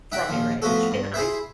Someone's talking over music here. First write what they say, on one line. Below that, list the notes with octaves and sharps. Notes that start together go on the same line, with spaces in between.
from your age, and I'm
D#4 E5 F#5 G5
A#1 D#2 F3
A2 F3 B3 F#4 A4
G2
E4 G#4 C5 E5